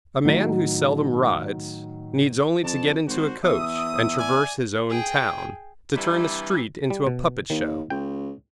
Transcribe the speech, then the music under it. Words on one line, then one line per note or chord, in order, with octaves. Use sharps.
A man who seldom rides, needs only to get into a coach and traverse his own town, to turn the street into a puppet-show.
A2 D#3 F#3
F2 A5
G#1 F#4 C5
E2 E5 D#6
D5 G#5
G#4 G5
G2 C3 E3 G3 E5
G3
B2
D#2 D#3
C#2 G5